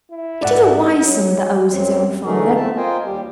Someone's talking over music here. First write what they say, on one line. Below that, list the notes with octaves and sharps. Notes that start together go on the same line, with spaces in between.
It is a wise son that owes his own father.
E4
G#2 F#4 A4 D5 F#5
F#3
F#2 F#3 C4
D3 E3 A3 D#4 G#4 A#4
A3 C4 E5 A5
F4 A#4 C5 D#5 G5 G#5
D#2 G3 G4